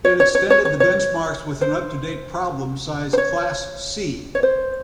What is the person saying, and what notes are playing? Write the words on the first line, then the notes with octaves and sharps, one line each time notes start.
It extended the benchmarks with an up-to-date problem size "Class C".
C#5
C#5
C#5
C#5
C#5
C#5
C5
C5
C#5
C#5
C5